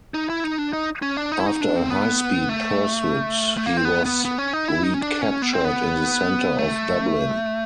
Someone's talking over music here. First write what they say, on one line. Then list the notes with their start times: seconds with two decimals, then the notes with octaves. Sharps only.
After a high-speed pursuit, he was recaptured in the centre of Dublin.
0.14 D#4
0.30 E4
0.44 D#4
0.58 D4
0.73 D#4
1.02 C#4
1.17 D4
1.32 D#4
1.40 E4
1.46 D#4
1.61 D4
1.76 C4
1.90 B3
2.49 A3
3.57 A3
3.66 A#3
3.77 C4
3.85 B3
4.05 B3
4.25 B3
4.38 C#4
4.53 D#4
4.68 E4
4.83 D#4
4.94 C#4
5.02 D4
5.21 C#4
5.42 B3
5.53 C4
5.64 B3
6.59 A3